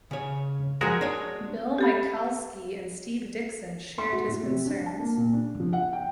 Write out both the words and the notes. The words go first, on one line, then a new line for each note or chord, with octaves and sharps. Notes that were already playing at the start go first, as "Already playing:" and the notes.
Bill Michalsky and Steve Dixon shared his concerns.
C#3 C#5
F#2 F3 G#3 F#4 G#4 A#4
D4 C#5
G4 A4 B5
C6
F#4
A2
C3
D4
A5
A#3
A#2
D4
F3
F#5
G5